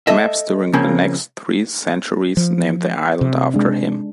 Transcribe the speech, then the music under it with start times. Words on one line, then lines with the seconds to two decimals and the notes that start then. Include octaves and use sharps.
Maps during the next three centuries named the island after him.
0.07 A4 D#5 E5
0.73 C#3 F3 A#3 C4 C#4
2.37 F3
3.21 C3
3.54 G#3 D4